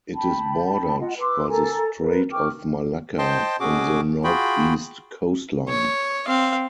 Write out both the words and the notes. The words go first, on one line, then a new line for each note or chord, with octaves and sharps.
It is bordered by the Strait of Malacca on the northeast coastline.
G5 A5 B5
F4 D#5 F#5
B4 C6 D6 E6
A4 A#4 G#5 A#5
A#4 B4
G5 C#6 D6 F6
C5 D#5 G5 A5 C6
B2 C#4 F#4 G#4 D6
F4 F#4 G#4 G5 B5
C#5
C4 F5